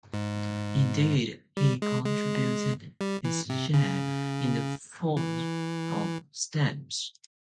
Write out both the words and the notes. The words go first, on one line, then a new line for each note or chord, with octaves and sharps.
Indeed he contributed his share in the form of stamps.
G#2
G3
G#3
G#3
G3
E3
C3
C#3
E3